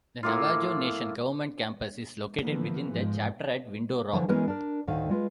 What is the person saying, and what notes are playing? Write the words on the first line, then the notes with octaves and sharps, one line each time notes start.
The Navajo Nation Government Campus is located within the chapter at Window Rock.
A2 A#3 F4
D3 E3 F3 A#3 B3
G#2 F3 G#3
D3 E3 F3
E3 G#3 B3 C#4 E4 A#4
D4 A#4
D2 A2 D3 D#3 F5
G#3 F4 B4